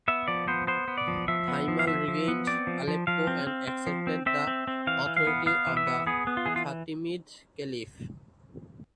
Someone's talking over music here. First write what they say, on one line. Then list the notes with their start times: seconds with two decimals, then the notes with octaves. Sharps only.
Thimal regained Aleppo and accepted the authority of the Fatimid Caliph.
0.08 B3 E5
0.28 F3 D5
0.48 B3 C5
0.67 B3 C5
0.88 B3
0.98 D5
1.08 F3
1.28 F3 E5
1.48 B3
1.68 F3
1.79 F5
1.87 F3 E5
2.08 F3
2.28 B3
2.47 C4 D5
2.67 F3
2.88 F3
3.07 F3 F5
3.27 C4
3.47 C4
3.68 C4
3.87 F3
4.07 C4
4.26 C4 E5
4.47 C4
4.67 C4
4.87 E3 F5
5.06 E3
5.17 F5
5.27 B3
5.46 B3 F5
5.67 E3
5.77 E5
5.87 B3
6.07 B3 G#4
6.27 B3
6.37 F4
6.46 E3 G#4
6.56 F4